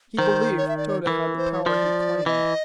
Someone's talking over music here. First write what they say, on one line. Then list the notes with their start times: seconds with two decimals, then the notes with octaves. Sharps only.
He believed Tode had the power he claimed.
0.18 D#3 C5
0.57 C#5
0.68 E5
0.77 D5
0.88 C#5
1.07 E3 A#4
1.36 C5
1.52 C#5
1.66 F3 D5
2.26 E3 D#5